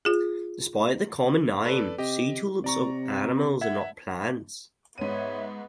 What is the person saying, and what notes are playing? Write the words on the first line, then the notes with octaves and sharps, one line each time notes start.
Despite their common name, sea tulips are animals and not plants.
F4 G#4
A4 B4 D5
C3 G4 D#5
C3 D5 A#5 C#6
E5 F#5 G#6
G#2 B3 C#5 E5 D#7